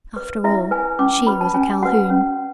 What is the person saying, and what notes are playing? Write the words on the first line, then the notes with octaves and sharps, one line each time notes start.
After all, she was a Calhoun.
B4
E4 E5
B4 G#5
C#4 D6
F#4 B4 B5
A5
C#4 G#5
F#4 B4 F#5
C#4